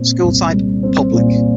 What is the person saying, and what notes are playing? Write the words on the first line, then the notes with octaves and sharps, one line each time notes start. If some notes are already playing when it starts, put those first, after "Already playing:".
School type: Public.
Already playing: A#2 C4
C2
G3
C4
A#2